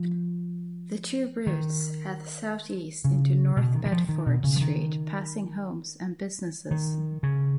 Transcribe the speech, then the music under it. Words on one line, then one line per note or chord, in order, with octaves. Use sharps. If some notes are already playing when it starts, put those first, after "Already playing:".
The two routes head southeast onto North Bedford Street, passing homes and businesses.
Already playing: F3
D#3
C#3
B2
D#3
D#3
F3
D#3
B2
C#3
F3
D#3
D#3
C#3